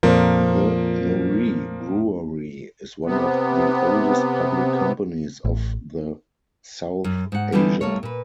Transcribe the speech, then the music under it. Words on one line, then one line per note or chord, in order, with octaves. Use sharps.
The Murree Brewery is one of the oldest public companies of the South Asia.
F2 A#2 F3 A#3 A#4 C5
C3 B3
A1
F#2
G#2 F#5
D3 E3 G3 B3 D#4 E4
G3 A3 A#3 C#5
A#2 B4